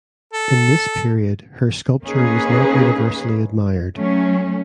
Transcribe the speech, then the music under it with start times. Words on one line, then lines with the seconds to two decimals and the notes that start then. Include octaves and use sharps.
In this period her sculpture was not universally admired.
0.33 A4
2.04 A#3 C#4 D#4 G#4 B4
3.97 F#3 A3 C#4